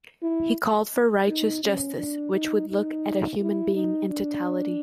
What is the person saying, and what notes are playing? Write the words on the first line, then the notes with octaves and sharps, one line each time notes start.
He called for "righteous justice" which would look at a human being in totality.
E4
D#4
C#4
D4
D#4
D#4
E4
D#4
D4